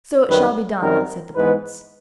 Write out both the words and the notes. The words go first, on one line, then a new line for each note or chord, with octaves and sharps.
"So it shall be done!" said the Prince.
F#2 D#3 G3 B4
F#2 D#3 G3 C4 A#4
G#2 E3 G#3 B3 B4